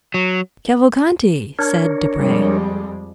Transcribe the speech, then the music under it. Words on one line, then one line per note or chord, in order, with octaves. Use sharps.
"Cavalcanti!" said Debray.
F#3
D4 A#4 C#5
F2 G3 G#3